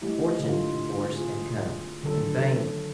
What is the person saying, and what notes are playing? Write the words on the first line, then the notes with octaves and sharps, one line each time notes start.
Fortune, of course, had come, and fame.
G#3 A3 E4 G4
D3 F4
C4 F4 G#4
D3 D#3 F#3 C#4 A4